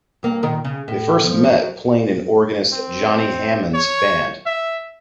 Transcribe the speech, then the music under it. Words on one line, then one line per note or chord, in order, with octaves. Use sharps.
They first met playing in organist Johnny Hammond's band.
G2 A#3
A#2 D#3 A#4
C#3
A2
E2 F3
F#2 F#3
C4
C#5
E5